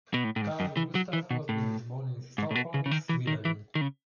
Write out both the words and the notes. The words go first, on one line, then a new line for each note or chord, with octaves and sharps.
Carl-Gustaf Rossby was born in Stockholm, Sweden.
B2
A2
A2
G#2
F#2
E3
F#3
E3
B2
A2
G#2
A2
B2
C#3
C#3
D#3
E3
D#3
E3
D#3
C#3